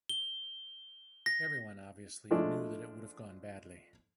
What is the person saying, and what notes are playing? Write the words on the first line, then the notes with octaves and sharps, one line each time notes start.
Everyone, obviously, knew that it would’ve gone badly.
G7
A#6
F3 G#3 A3 D4